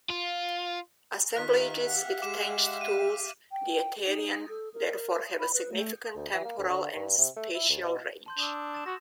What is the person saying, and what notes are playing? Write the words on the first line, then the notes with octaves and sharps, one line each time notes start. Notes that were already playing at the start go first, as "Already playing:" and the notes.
Assemblages with tanged tools, 'the Aterian', therefore have a significant temporal and spatial range.
F4
D#3 F4 G4 E5 F5 F#6 B6
F#5
G#3 D6 E7
D#7
G5
D#4
A4
A#4
B5
B4
A3
D2
E3
A#3
D2
D3
G2
C3
A3
E4
D2
B2
A5 C6 G6
D4 D#6 E6
A6 E7
F#4 A#6